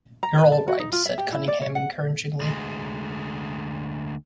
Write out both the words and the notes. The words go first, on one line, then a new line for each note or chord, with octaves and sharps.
"You're all right," said Cunningham encouragingly.
A#5
B4
A5
F#4
D#4
F4
E5
G4
E4
D5
C#5
F#5
D2 G#3